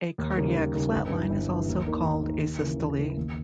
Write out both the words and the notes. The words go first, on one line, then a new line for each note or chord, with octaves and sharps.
A cardiac flatline is also called asystole.
D#2
C#3 G3 A#3 D#4
D#2
C#3 G3 A#3 D#4
G1
G2 E3
G1
G2 E3
D#2
D#3 A#3 D#4
D#2
D#3 A#3 D#4
D#2
C#3 E3 A#3
D#2
C#3 E3 A#3
D#2